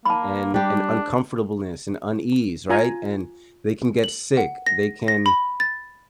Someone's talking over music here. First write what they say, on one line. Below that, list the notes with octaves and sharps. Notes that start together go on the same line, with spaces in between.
and and uncomfortableness, and unease, right? And they can get sick, they can
A#3 A5 B5
G3 D4 G4
F4 G#5 A#5
F#7
F#5
A#6
A#6
B5
A6